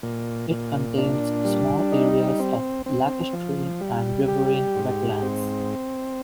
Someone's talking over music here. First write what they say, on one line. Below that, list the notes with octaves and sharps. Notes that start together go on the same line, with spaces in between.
It contains small areas of lacustrine and riverine wetlands.
A#2
A#2
D4
G3
D#4
C4
C4
F3
G3
G4
G#2
C4